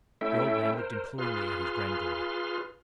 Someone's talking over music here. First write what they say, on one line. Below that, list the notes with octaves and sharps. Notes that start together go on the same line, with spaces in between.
The old man looked imploringly at his granddaughter.
A3 C#4 E4 A4 E5 G5
A#4 C5
F4 G#4 B4 C6 F6